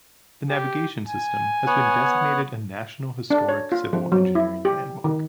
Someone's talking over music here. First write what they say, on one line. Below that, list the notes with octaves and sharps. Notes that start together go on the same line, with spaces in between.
The navigation system has been designated a national Historic Civil Engineering Landmark.
G4
G#5
B3 C#5 F#5
D4
C#5
F4
F3
F#3
E4
G4
D#3